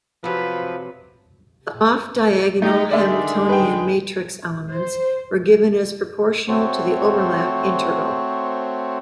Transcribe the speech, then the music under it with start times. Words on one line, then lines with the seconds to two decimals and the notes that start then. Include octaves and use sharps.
The off-diagonal Hamiltonian matrix elements were given as proportional to the overlap integral.
0.24 C3 F3 F#3 B4
2.62 A3 D#4 G4
2.91 D3 D#3 G#3 D5 E5
3.49 B4 G5
4.72 C5
6.48 A3 C4 F#4 C5 C#5